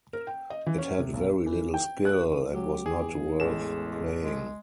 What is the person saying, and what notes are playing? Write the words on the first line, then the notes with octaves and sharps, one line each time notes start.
It had very little skill, and was not worth playing.
A#4
G5
D#5
E3
C#4
C3
B1
E3
G5
F#6
F#3 G4
E2 G#4
A1 G#3 G#4 A4 E7
G#3